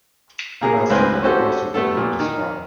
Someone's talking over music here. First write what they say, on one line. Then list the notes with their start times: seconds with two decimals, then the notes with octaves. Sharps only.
Pilasters also decorate the spire.
0.62 A#3 G#4 A#4
0.90 C#2 A2 C4 B4 C5 G#5
1.23 C#4 F#4 G4 A4 C5
1.74 G3 A3 B3 A4
1.97 A#2
2.20 D#3